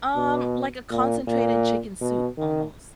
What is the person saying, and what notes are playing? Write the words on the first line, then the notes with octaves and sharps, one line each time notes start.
Um, like a concentrated chicken soup almost.
B2
A#2
A#2
B2
D#3